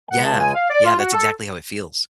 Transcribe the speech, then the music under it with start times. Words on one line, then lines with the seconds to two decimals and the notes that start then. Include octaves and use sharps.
Yeah. Yeah, that's exactly how it feels.
0.11 C#2 C#3 G#3 F#5
0.25 A5
0.39 G#5
0.54 F5
0.69 D5
0.84 F4
0.98 F#4
1.13 A4